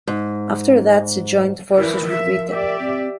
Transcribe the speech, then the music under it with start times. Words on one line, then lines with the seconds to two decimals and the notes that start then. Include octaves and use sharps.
After that, she joined forces with Rita.
0.07 G#2
1.76 E3 E4 A#4
2.08 F3 E5
2.49 G4 D5 E5
2.80 C4